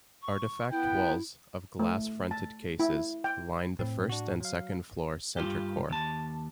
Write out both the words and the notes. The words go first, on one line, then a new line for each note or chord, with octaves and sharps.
Artifact walls, of glass-fronted cases, line the first and second floor center core.
C#6
B3 E4 G5
A3
A5
E4
G5
A2 C4
D4 F#4
F#3 F5
G2 F4 G4
D#2 A5